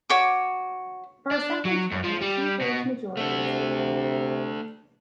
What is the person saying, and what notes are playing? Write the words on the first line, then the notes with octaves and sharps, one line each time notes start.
For a second term, a two-thirds majority is required.
F#4 C#5 D6
D4
F#3
F#2
F3
G3
B2
C3 A3 D4